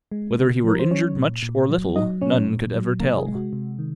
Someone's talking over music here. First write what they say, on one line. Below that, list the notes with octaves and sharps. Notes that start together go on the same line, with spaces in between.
Whether he were injured much or little, none could ever tell.
G#3
C#3
F3 A#4
C5
F#3 C#4 C#5
A#2
A#2
F#3
F#3 D#4 D#5
A#2 C#4 C#5
A#2
F#3
C3 A#3 A#4
G#4
G#3
F#4
C3
D#3